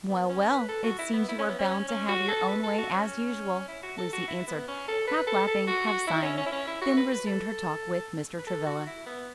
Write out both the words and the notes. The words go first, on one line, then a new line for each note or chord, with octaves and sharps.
"Well, well, it seems you are bound to have your own way, as usual," Lucy answered, half laughing, half sighing, then resumed her talk with Mr. Travilla.
B3
C#4
B4
A4
F#4
E4
B3
E4
C#4
B3
C#4
C#4
F#4
A4
B4
A4
F#4
C#4
E4
F#4
A4
F#4
E4
B3
C#4
A4
B4
A4
A4
F#4
F#4
E4
C#4
C#4
E4
C#4
E4
F#4
B4
B4
A4
B4
A4
F#4
E4
B3